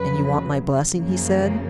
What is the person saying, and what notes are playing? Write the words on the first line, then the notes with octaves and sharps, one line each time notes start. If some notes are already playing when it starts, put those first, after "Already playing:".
"And you want my blessing?" he said.
Already playing: F2 C#3 F#3 B4
F#2 C#3 F3 A#3